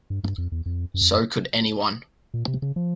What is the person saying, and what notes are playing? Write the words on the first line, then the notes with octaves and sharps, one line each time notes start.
So could anyone.
G2
G2
F2
E2
F2
F#2
F2
F#2
A#2
C3
C#3
F3